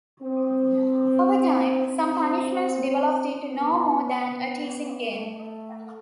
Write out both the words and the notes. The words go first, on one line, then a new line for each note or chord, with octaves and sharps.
Over time, some punishments developed into no more than a teasing game.
C4
C4
B3
A3